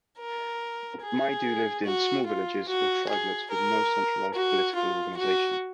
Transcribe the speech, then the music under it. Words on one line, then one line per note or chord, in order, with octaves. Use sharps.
Maidu lived in small villages or tribelets with no centralized political organization.
A#4
G#4
F#4
F4
F#4
G#4
A#4
F#4
F4
F#4